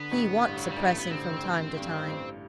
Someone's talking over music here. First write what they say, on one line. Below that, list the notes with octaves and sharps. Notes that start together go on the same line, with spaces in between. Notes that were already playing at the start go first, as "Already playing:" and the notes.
He wants suppressing from time to time.'
Already playing: D3 B3
A1
G2
F#3
G3
A1
A3
B3
D3 C4
A1
G2
A1